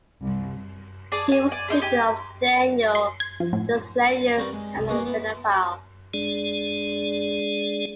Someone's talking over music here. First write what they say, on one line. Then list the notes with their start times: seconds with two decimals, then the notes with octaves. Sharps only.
He was a student of Daniel Juslenius and a Fennophile.
0.22 C2
1.12 G#4 D5 A5
1.28 C#5 G#5
1.51 D5 G#5
1.69 D#4 E4 G#4
1.82 G4 G#5
2.95 C6
3.20 G#6
3.40 F3
3.53 A2
4.37 G3 C4 F#4 A#4 B4
4.53 G#3
4.74 C2
4.88 G#3 A#3 B3 F#4 G#4 A#4
5.05 B3 E4
6.14 G#3 D4 G#4 D5